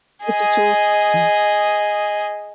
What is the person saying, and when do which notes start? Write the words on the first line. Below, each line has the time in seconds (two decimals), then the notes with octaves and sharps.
It's a tool, mm
0.25 G#4 D#5